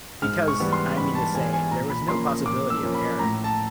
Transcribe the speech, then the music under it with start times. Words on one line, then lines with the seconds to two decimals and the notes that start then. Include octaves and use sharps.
Because, I mean to say, there was no possibility of error.
0.22 G#2 F6
0.48 C#6
0.60 E3 G3 B3
0.73 C6
0.97 G#2 B5
1.15 A5
1.34 E3 G3 B3 G#5
1.53 G#5
1.71 A#2 A#5
1.90 B5
2.08 F3 A#3 C#4 C6
2.46 A#2 D6
2.70 E6
2.83 F3 A#3 C#4
2.95 B5
3.19 A2 A#5
3.44 A5